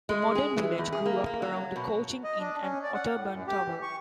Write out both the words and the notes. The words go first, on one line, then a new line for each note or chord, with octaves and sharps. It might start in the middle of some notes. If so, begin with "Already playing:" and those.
The modern village grew up around a coaching inn and Otterburn Tower.
G#3
G#4
E3
E2
G#4
A#3
A#3
F#3
B2
D#5
D4
C#4
D5
F#5
A2
F#2
G4
E3
C#6